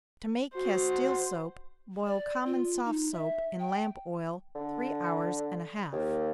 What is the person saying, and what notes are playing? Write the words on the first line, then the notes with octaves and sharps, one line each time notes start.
To make Castile soap, boil common soft soap in lamp oil three hours and a half.
F#4 C5
D5
F4
D#4
E5
G5
D3
D#2